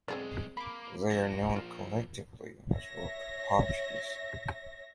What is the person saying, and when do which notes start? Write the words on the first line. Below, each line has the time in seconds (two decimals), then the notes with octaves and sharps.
They are known collectively as rock partridges.
0.08 B1 G#3 C4 G#4 D5
0.57 A#3 B5 D6
1.10 F3 A#3 A#6
1.56 F4
2.72 C#5 E5 A#6